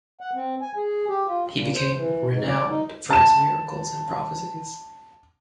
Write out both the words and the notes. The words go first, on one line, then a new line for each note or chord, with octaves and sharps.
He became renowned for his miracles and prophecies.
F#5
C4
G#5
G#4
G4
F4
A#2
C5
E3
G#2
D5
D#4
A5 E7